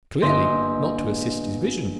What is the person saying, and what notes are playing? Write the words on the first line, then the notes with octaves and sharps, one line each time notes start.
Clearly, not to assist his vision.
G1 A#3 D#5 C6 E6 G6